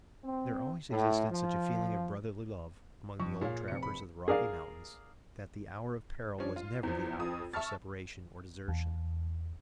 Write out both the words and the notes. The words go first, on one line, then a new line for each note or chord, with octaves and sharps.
There always existed such a feeling of brotherly love among the old trappers of the Rocky Mountains, that the hour of peril was never the hour for separation or desertion.
C4
A2
F3
F2 C#6
A#2 G#4 C#5 F5
F1 C3 C#7
B5
G#4 A#4 D5 F5
F3 C#4 D4
F4
E2 F3
F2 D#6
E5 A5 C#6 F6 A6
E2